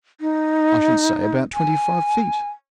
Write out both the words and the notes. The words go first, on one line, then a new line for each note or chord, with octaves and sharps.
"I should say about twenty-five feet?"
D#4
G#5